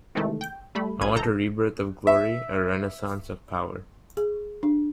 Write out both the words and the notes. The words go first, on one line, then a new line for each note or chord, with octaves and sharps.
I want a rebirth of glory, a renaissance of power.
C3 D#3 E3 G#3 A3
G5 G6
G3 A3 B5
A#1 C#4 G#6 D#7
G1 A4 A#5 G6
E5
G#4
D4